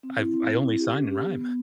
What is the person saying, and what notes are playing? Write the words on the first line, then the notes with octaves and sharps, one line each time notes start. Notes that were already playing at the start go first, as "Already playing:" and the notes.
I've I only sign and rhyme.
C4
E4
C4
C4
E4
G4
C#4
G4
B3
B3